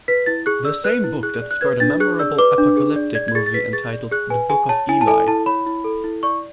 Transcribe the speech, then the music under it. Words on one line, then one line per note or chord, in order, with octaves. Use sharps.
The same book that spurred a memorable apocalyptic movie entitled, "The Book of Eli".
B4 B6
E4 A6
G#4 F#6
D5 E6
B4 F#6
E4
G#4 F#6
D5
F#6
B4 G#6
D4 A6
G#4 F#6
D5 E6
B4 D6
D4
G#4
D5
D5 G#6
G#6
G#4 A6
A6
B4 B6
G#4 A6
D5
G#4 F#6
B4 G#5
G#4 G#5
C#5 A5
E4 G#5
A5
A4 G#5
E4 A5
C#5 B5
E4
A4
E4
D5 C#6